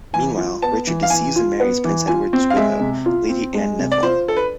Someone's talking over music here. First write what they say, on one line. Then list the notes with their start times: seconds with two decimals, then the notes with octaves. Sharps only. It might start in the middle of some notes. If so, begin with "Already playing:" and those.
Meanwhile, Richard deceives and marries Prince Edward's widow Lady Anne Neville.
0.13 E3 G#5
0.37 F4
0.62 B3 A5
0.87 E3
1.03 F5
1.10 E3 G#5
1.36 F4
1.60 B3
1.84 E3
2.08 F4 G#5
2.33 C4
2.50 F5
2.57 G#3 E5
2.80 C3
3.06 F4
3.29 C4
3.55 G#3
3.79 C3
3.92 D5
4.02 F4 C5
4.28 D4 A4
4.37 B4